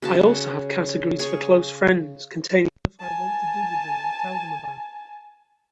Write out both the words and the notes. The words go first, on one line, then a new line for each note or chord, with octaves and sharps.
I also have categories for close friends containing stuff I want to do with them or tell them about.
C#3 F#4 A5
G#4 C#5 C#6
G#5 A5